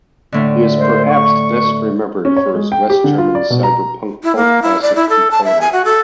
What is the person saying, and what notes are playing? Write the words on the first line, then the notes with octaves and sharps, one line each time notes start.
He is perhaps best remembered for his West German cyberpunk cult classic Decoder.
A2 D3
G#3 A#4 C5
C#6
C#4
C#5
G#3
G5
G4
D3
F4
D5
B2
A#5
E4
A#3
E4
D5
E4
A4
A5
E5
G#5
F#4
A4